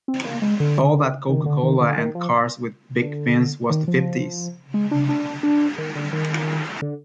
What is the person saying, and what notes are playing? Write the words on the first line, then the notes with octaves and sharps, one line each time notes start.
All that Coca-Cola and cars with big fins was the Fifties!
C4
A#3
G#3
D3
D#3
D3
D#3
D3
D#3
F3
D3
D#3
F3
G#3
D4
D4
D4
D#3
D3
D#3
D3